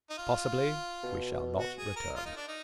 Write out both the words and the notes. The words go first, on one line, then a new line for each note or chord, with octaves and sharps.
Possibly we shall not return.
D#4
F4
B2
F#4
G#4
A#4
F4
D#4
D4
D#4